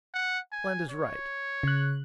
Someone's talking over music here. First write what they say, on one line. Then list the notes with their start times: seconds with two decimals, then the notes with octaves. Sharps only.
Land is right.
0.14 F#5
0.52 G#5
0.90 C#5
1.63 C#3 F#6